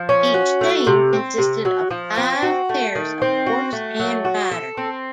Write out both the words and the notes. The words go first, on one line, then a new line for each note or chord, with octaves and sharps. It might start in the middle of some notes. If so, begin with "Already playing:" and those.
Each team consisted of five pairs of horse and rider.
Already playing: F3
C#4
F#4
A3
C3
C4
C3
F#3
F3
C4
F#4
A3
D#3
C4
F#4
A3
F#3
F#4
A4
C4